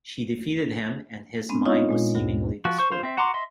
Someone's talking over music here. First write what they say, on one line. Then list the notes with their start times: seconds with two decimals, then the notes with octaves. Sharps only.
She defeated him, and his mind was seemingly destroyed.
1.49 G#3 B3 C4 D4
1.65 D#4 F4 C#5 D#5 F5 C#6
1.89 A#2 G#3 F4
2.15 D2 G2
2.65 F3 F#4
2.79 C5 C#6
2.91 F4 C5
3.03 C4 E5
3.17 F#4 F#5 A#5 C6 D6
3.34 D#5 E5 C6